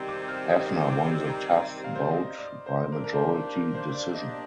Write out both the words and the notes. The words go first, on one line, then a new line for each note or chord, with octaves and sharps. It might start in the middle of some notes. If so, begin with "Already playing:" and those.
Hafner won the tough bout by majority decision.
Already playing: C3 D#3 G3 C4 A#5
D6
F6
D#6
D6
A#5
A#5
F5
C5
D5
D#5
D5
C5
A#3 D4 G4 A#4
A#4
C5
A#4
C5
D5
D#5